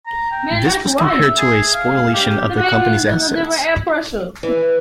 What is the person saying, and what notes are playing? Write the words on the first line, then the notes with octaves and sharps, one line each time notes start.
This was compared to a spoliation of the company's assets.
A#5
G5
E5
G#4
F5
G4
F#5
E3